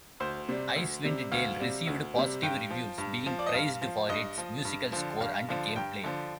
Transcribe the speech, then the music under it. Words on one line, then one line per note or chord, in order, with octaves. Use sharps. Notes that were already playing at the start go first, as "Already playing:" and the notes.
"Icewind Dale" received positive reviews, being praised for its musical score and gameplay.
D2 C5
C3 G3
D2
C3 G3
D2 F5
C3 G3
D2
C3 G3
G2 G5
F3
G2
F3
D5
D#5
G2 F5
F3
G2 D#5
F3
G2
D3 F3
G2 F5
D3 F3
G2 G5
D3 F3